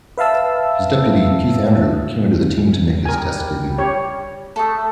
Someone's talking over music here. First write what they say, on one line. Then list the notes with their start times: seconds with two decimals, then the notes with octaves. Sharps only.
His deputy, Keith Andrew, came into the team to make his Test debut.
0.18 B4 E5 F5 A5 E6
3.05 G3 A#4 G#5
3.78 G4 C#5
4.56 A3 A4 D#6